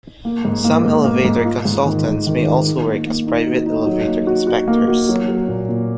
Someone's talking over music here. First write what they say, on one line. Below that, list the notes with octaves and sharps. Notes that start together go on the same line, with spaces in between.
Some elevator consultants may also work as private elevator inspectors.
A#3
G#2
A#3
G#2
A#3
G#2
F4
G#2
D#3
D#3
D#3
F4
D#4
A#3
A#3
D#4
F#4
D#4
F#3
A#3
F#4
F#4
A#3
F#4
F#3
F#3
A#2
A#2